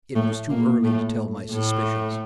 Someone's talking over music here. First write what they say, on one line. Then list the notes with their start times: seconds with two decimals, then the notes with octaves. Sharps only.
It was too early to tell my suspicions.
0.15 A2 A3
0.49 A#2 A#3
0.84 A2 A3
1.52 A2 A3